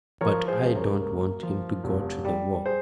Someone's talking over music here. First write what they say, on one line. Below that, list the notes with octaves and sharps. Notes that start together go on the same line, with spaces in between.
But I don't want him to go to the war.
F3 A#4 C#5
G#4 C5
C#2
A#4 C#5
A#3
F3
F1
G3
G#4 C5